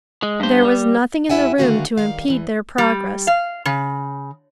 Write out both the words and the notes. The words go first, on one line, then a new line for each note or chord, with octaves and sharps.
There was nothing in the room to impede their progress.
G#3
G2 C5
G3
F2 E4 G4 E5 F#5 G#5
D3 D#3 A3 F#4 F5 G#5
D#3 G3 F5
E2 E3
G3
F5
C#3